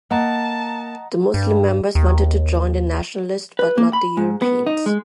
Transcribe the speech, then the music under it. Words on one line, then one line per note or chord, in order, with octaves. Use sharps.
The Muslim members wanted to join the nationalists, but not the Europeans.
A#3 D#5 F#5 A5 A#5
G2
D#2
B4
A#3
B5
G#2
B3
D#4
G#3